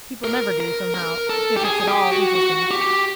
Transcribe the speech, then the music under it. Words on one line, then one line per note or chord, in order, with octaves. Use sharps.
People never do, somehow, if it's at all interesting.'
A#4
A#4
A#4
A4
G4
G#4
G#4
G4
F#4
F#4
G4